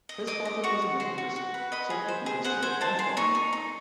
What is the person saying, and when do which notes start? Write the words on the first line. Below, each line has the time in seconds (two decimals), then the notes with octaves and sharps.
His father was a Methodist circuit minister and farmer.
0.09 D#5
0.27 D#5 D6
0.45 D#5
0.64 F#4 C#6
0.82 F#4
1.00 F#4 C6
1.18 F#4
1.36 F#4
1.54 B4
1.72 D#5 B5
1.90 G#4
2.08 C5
2.26 G#4
2.44 C5 F#5
2.62 C5 G#5
2.81 C5 A5
2.99 G#4 C6
3.17 D#4 C#6
3.35 D#4
3.53 D#4